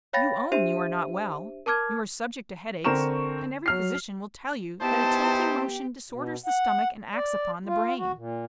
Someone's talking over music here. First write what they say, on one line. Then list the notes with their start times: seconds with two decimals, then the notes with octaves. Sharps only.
You own you are not well; you are subject to headaches; and every physician will tell you that a tilting motion disorders the stomach and acts upon the brain.
0.13 C#5 F5 G5 B5 A6 A#6
0.52 D4 G4 C5 E5 D#7
1.66 A#4 A5 D6 F6 G#6
2.84 D3 C4 A#4 C#6 E7
3.66 F#3 F6 C7
4.81 B3 D#4 E4 G4 C5 A5
6.10 B2
6.46 F#5
7.14 D5
7.65 F4
7.98 F#4
8.15 A#2